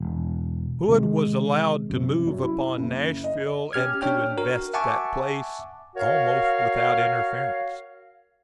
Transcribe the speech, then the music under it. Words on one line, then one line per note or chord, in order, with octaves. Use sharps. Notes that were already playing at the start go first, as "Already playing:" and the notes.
Hood was allowed to move upon Nashville, and to invest that place almost without interference.
E1
C3 D#3 G#3
F#2 C3
F#2
E4
F#1
D#5
C#4 G4 F6 G#6
D4 C#5 G5 F6
F#4 A#4
E5 F#5 G#5 A5 C#6 D6
F#4 A#4 C#5 F5